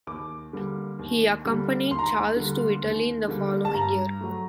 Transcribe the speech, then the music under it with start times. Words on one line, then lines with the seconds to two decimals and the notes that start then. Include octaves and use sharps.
He accompanied Charles to Italy in the following year.
0.07 D#2 D6
0.53 D3 G3 A#3
0.99 D#2
1.45 D3 G3 A#3
1.91 D#2 C6
1.99 A#5
2.06 C6
2.36 D3 G3 A#3
2.83 D#2
3.28 D3 G3 A#3
3.65 A5
3.74 G2 A#5
4.21 F#3 A3